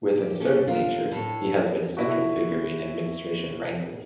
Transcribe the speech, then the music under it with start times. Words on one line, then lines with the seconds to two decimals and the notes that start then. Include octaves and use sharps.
With an assertive nature he has been a central figure in administration wrangles.
0.16 G4
0.40 C#4 G4 A4
0.68 D4 F4 A#4
1.11 A2 A4
1.97 E4 F#4